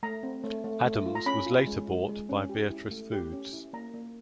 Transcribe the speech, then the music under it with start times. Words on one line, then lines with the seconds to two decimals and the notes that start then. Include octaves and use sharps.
Adams was later bought by Beatrice Foods.
0.03 A3 A#5
0.23 C4
0.44 A3
0.64 A3
0.85 A3
1.06 F4
1.15 A#5
1.26 C#4 B5
1.46 F4
1.67 G#3
1.88 F4
2.09 G#3
2.29 C#4
2.49 G4
2.70 E4
2.91 A3
3.12 G4
3.32 C#4
3.53 E4
3.73 A#3 A#5
3.94 A#3